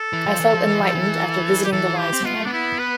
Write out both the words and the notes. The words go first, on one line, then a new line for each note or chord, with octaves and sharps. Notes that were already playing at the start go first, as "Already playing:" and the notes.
I felt enlightened after visiting the wise man.
Already playing: A4
E3
F3
E3
F3
E3
F3
E3
G4
E3 A4
G4
C4
B3 F4
A3
B3 D4
E4
B4